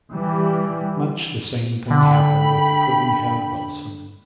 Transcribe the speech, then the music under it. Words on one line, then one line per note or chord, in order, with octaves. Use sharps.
Much the same thing happened with PUDD'NHEAD WILSON.
E3 G3
D3 G5 B5